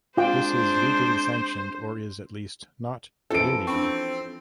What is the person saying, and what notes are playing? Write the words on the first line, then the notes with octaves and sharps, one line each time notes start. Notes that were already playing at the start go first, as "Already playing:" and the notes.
This is legally sanctioned or is, at least, not illegal.
G#3 C4 D4 F4 C5 G5
E3 F3 C#4 A4 D7
C4 D4 B5 C#6